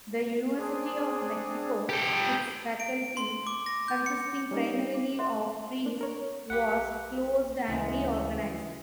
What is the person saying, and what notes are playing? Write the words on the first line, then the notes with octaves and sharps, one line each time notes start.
The University of Mexico, its faculty consisting primarily of priests, was closed and reorganized.
C4 D4 G#4
G4 A4
D7
C6
D6
A#6
G6
C#7
G3 C#4 D#4
D6
E5 F#5 C6
D4
A#4 C#5
B1 G4 B4 F#5
D2 C#3 E3 G#3